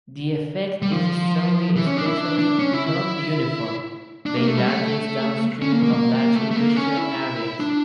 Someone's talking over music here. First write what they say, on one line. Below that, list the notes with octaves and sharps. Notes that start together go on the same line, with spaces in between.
The effect is strongly spatially non-uniform, being largest downstream of large industrial areas.
G3
F3
E3
C#4
D4
E4
D4
D4
C#4
E4
E4
D4
A#3
A3
G3
A3
C#4
A#3
A#3
A#3
A#3
A3
A3
A#3
C#4
E4
D4